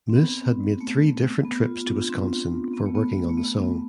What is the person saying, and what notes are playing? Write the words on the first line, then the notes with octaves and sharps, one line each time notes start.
Moose had made three different trips to Wisconsin for working on the song.
C4
B3
A3
B3
F4
D4
C4
B3
A3
B3
A3
B3
B3